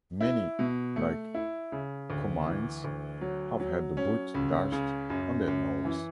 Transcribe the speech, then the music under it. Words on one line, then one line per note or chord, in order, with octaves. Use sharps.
Many, like Comines, have had the boot dashed on their nose.
E4
B2
A3
E4
C#3
D2
E3
D2
F#3
F#3
C#4
C#2
C#3
F#2
F#2
E3